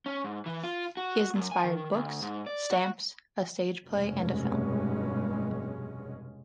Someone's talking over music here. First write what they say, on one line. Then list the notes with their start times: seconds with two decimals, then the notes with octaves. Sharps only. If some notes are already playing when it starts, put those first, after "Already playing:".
He has inspired books, stamps, a stage play and a film.
0.06 C#4
0.24 G#2
0.46 E3
0.63 F4
0.97 F#4
1.35 F#2
1.52 G#5
1.64 D#3
1.95 D2
2.22 G#2
2.46 D5
2.71 F#4
3.88 F1 G2 B2 G#3 C#4